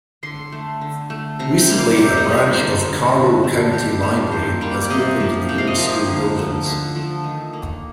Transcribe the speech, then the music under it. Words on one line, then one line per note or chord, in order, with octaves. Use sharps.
Recently a branch of Carlow County Library has opened in the old school buildings.
D3 C6
A3
D3
A3
C3 A#5
G5
G3 A#3
F5
C3 G4
D#4
G3 A#3
F4
D3
A3
D3
A3
D#3 G4
G3 A#3 A4
D#3 C5
G3 A#3 D5
D5
C3 D#5
F3 A#3
C3 G5
F5
D#5
F3 A#3 F5
D3
F3 A3
D3
F3 A3
D#3
A#3